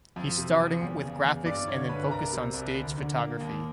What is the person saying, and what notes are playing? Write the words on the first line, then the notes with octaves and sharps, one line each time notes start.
He starting with graphics and then focused on staged photography.
F2
C3
F2
E2
C#3
E2
G2 D5 D6
D3 C#5 C#6
G2 B4 B5
C2 A#4 A#5
C3
C2
D2
D3
A#3
D#2